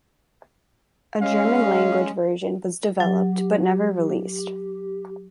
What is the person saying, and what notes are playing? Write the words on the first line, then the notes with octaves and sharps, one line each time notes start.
A German language version was developed, but never released.
G#3 C#4 F5
F#3 G4